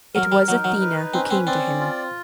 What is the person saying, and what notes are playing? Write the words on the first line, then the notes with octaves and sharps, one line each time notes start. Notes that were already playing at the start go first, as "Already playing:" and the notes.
It was Athena who came to him.
F#3 A#4
G3
F#3 D#4
F#3
B4
C4 C#4
C4
C4 D5
F4